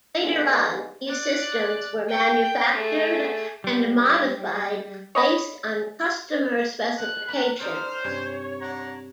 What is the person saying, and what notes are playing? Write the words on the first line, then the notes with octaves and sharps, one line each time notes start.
Later on, these systems were manufactured and modified based on customer specifications.
D3 B3 D#4 F4 G#4
D5 F#6
G5
A3 G#4
G3
C#5 D#5 B5
F3 F#6
A#3 D4 A#5 B5
D#4 A4 C5 D5 F6
G2 C3 C#5 G#5
D4 F#5 A#5